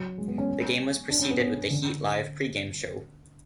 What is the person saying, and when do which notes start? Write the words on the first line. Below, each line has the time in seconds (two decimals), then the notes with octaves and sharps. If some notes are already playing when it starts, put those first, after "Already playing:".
The game was preceded with the "Heat Live" pregame show.
Already playing: F#3
0.18 G#3
0.28 B3
0.38 C#4
1.10 D4
1.19 C#4
1.30 B3
1.40 C#4
1.55 B3
1.70 D3